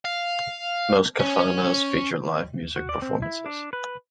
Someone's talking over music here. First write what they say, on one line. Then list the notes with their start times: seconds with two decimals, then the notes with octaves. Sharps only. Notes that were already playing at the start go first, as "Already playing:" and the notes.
Most kafanas feature live music performances.
0.05 F5
1.20 C#4
2.76 F#4
2.89 D5
3.02 C4
3.22 E4
3.46 D4
3.73 B4